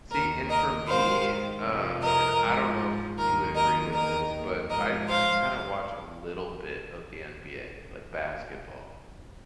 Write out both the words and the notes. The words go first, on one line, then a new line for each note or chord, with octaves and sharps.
See, and for me, uh, and I don't know if you would agree with this, but I kinda watch a little bit of the NBA, like basketball.
D#2 D#3 A#4
A#4 D#5
G#2 D#3 C5 F5
F2 C3 F3
A#4 D#5
G#2 F3
D#2 D#3 A#4
A#4 D#5
D#2 D#3 A#4 D#5
G#2 F3 A#4 D#5
C5 F5